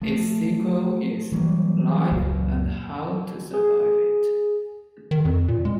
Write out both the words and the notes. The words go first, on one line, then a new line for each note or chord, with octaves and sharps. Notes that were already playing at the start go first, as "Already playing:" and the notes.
Its sequel is "Life and How to Survive It".
F3 A3
E3 F#3 G3 A#3
C#2 F#2 A#2
G#4
D#3
F2
A#2
G#3